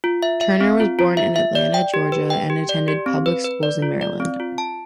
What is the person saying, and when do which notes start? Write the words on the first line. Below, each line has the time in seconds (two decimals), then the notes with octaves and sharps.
Turner was born in Atlanta, Georgia, and attended public schools in Maryland.
0.04 F4
0.23 E5
0.41 E5
0.61 C4
0.80 F4
0.99 F4
1.17 E5
1.36 E5
1.55 D5
1.74 G5
1.94 G4
2.12 B4
2.30 G5
2.50 G4
2.69 D5
2.88 G4
3.06 C4
3.26 B4
3.44 B4
3.63 D5
3.82 F4
4.01 D5
4.20 C4
4.40 F4
4.58 A5